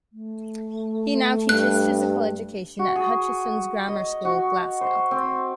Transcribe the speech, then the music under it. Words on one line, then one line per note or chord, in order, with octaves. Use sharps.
He now teaches physical education at Hutchesons' Grammar School, Glasgow.
A3
G2 F#6
F#4
G#4
D#5
F#4
C5
C4